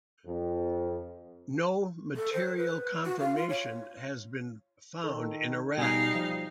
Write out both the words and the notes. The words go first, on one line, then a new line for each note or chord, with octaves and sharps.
No material confirmation has been found in Iraq.
F2
A4
C5
B4
F#4
F5
F4
C#5
D#3 A4
B2 G3 D#4 F5 G#5
F3